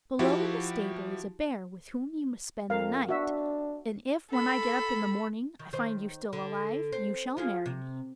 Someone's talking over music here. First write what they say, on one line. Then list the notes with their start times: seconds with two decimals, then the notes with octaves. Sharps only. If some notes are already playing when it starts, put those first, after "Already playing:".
Below in the stable is a bear with whom you must spend the night, and if when I get up in the morning I find you still alive you shall marry me.'
0.19 F3 E4 F#4 G4
2.70 F2 A#4 F5
3.09 D4 F#4 E5
4.31 A4 B5
5.59 D#3
5.73 D#3 C5
6.33 D3
6.92 C4
7.37 F3 F4 G#4
7.66 C3